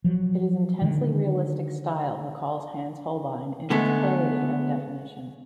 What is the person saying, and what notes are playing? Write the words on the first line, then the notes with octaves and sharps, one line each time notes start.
Its intensely realistic style recalls Hans Holbein in its clarity of definition.
F3 F#3
D3 D#3
D3 G#3 A3 B3